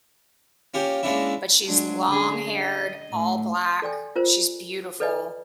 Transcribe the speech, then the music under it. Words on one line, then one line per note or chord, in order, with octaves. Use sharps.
but she's long-haired, all black, she's beautiful.
A#3 C#4 F4 G4
G#3 A#3 C#4 D4 E4
F#3 G#3 D4
D3 C#4 G#4
D#5
A2
A4 D5 G5 G#5
F4 A#4 C5
A4 B4 D5 D#5 G#5